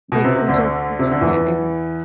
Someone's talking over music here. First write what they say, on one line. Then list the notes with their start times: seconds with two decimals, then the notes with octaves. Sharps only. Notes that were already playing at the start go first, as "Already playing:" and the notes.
Like, we just we can't." And
0.12 B2
0.24 C3
0.36 C3
0.48 D2 D3
0.99 C3
1.11 D3
1.21 E2 E3